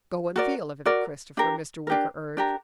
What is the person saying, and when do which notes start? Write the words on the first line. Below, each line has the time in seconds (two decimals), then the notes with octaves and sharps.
"Go and feel of it, Christopher," Mr. Wicker urged.
0.36 F#4 A#4 D5
0.85 F#4 A#4 D5
1.37 D4 G4 A#4
1.87 D4 G4 A#4
2.37 D4 G4 A#4